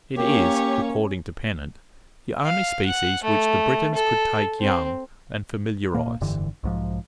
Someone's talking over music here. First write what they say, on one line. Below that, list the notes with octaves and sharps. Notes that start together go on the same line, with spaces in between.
It is, according to Pennant, the only species which the Britons could take young, and familiarize.
A#3 C#4 G4 C#5
F5
F#5
A3
A4
C4
A#2 A#3
F1 G2 D3 E3
B1 G#2 F3